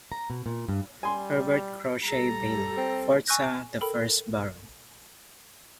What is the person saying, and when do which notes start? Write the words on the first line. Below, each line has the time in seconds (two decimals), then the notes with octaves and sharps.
Herbert Crawshay Bailey, fourth son of the first Baron.
0.12 A#5
0.30 B2
0.46 A#2
0.69 G2
1.03 G3 G#5 C6
2.04 G3 A4 A#5
2.77 C4
3.27 G#5 C#6 E6 F#6 G6 A#6
3.81 A4 A#4 G5 B5